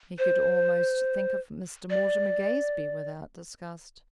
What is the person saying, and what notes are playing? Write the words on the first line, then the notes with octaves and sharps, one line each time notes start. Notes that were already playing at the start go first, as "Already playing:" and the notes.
He could almost think of Mr. Mortimer Gazebee without disgust.
C5
D5